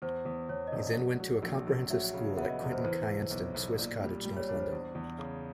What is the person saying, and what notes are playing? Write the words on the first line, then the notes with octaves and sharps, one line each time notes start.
He then went to a comprehensive school at Quintin Kynaston, Swiss Cottage, North London.
E2 C5
E2
E2 C#5
D#5
E1 D5
F#3
F#3
A#1
A#1
F#3 E5
C#3
B3 E5
D#5
E2 D5
C5
E3 C5
B1
B1
B1
A#2 D5
G3
G3 D5
C#5
D4 C#5
C5
E2
E2
C#3